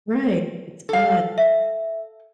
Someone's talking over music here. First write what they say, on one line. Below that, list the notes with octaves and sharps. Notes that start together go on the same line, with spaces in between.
Right. It's fun.
A4 F5
E5